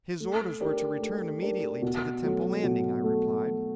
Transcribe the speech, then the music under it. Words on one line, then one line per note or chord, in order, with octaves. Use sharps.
"His orders were to return immediately to the temple landing," I replied.
A3
D4 G4 A#4
A3
D4 G4 A#4
B2
F#3 A3
B2
A3